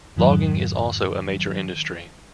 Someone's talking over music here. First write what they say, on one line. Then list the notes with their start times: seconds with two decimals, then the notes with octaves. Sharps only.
Logging is also a major industry.
0.16 F2 G#2 D#3 F#3